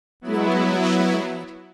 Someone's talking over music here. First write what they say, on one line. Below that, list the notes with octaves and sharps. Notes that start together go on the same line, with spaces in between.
The old woman shook her head.
F#3 B3 E4